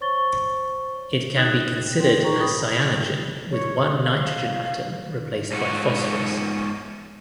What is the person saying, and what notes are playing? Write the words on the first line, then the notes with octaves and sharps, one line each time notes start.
It can be considered as cyanogen with one nitrogen atom replaced by phosphorus.
C5 C#5 C#6 A6 G7
D#4 C#5 G5 D#6 F#6 E7
E4 G5 C6
D#4 F4 G#4 A#5 C#6
G5 B5 D#6
C#5
F5
G#2 F4 C#5 F#5